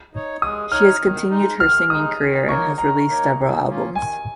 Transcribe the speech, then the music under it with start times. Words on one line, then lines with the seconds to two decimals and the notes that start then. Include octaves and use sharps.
She has continued her singing career and has released several albums.
0.14 D#4 C#5
0.42 G#3 D#6
0.72 D#4 C#5 F6
1.01 D#3
1.31 G#3 D#4
1.60 D#3 F6
1.90 G#3 D#4 D#6
2.19 D#3
2.49 A#3 D#4 A#4 C#5 C#6
2.78 D#3 A#5
3.08 A#3 D#4 A#4 C#5
3.37 D#3
3.67 A#3 C#4 F4
3.95 D#3 G#5